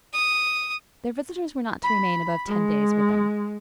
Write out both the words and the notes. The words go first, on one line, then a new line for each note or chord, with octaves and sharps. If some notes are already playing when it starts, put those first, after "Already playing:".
Their visitors were not to remain above ten days with them.
D#6
B5
G#3